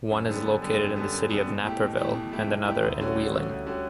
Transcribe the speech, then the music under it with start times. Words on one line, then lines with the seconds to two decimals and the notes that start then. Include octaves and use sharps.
One is located in the city of Naperville and another in Wheeling.
0.11 F#2
0.29 D3 G3 B3
0.46 F#2
0.62 D3 G3 B3
0.79 F#2
0.96 D3 G3 B3
1.13 F#2
1.30 D3 G3 B3
1.48 B2
1.63 A3 E4 G4
1.81 B2
1.97 A3 E4 G4
2.14 B2
2.32 A3 E4 G4
2.48 B2
2.65 A3 E4 G4
2.83 D2
2.99 D3 G3 C#4 F#4
3.16 D2
3.32 D3 G3 C#4 F#4
3.49 D2
3.66 D3 G3 C#4 F#4